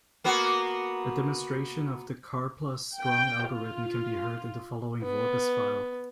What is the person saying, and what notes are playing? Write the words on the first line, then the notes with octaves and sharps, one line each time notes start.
A demonstration of the Karplus-Strong algorithm can be heard in the following Vorbis file.
A#3 B3 F#4
G5
F4
B3